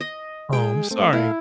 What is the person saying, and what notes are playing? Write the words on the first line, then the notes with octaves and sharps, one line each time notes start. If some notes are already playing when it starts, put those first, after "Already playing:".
Oh, I'm sorry.
D#5
G#3 G#4 G5
A3 C4
A3 E4 F5